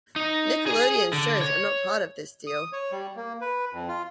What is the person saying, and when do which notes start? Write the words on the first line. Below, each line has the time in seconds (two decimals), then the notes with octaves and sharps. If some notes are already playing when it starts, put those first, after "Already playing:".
Nickelodeon's shows are not part of this deal.
0.16 D#4
0.66 G#4 G#5
1.13 D3
1.41 C#5
2.47 D#6
2.73 C#5
2.92 G3
3.16 A#3
3.41 B4
3.73 F2
3.88 F4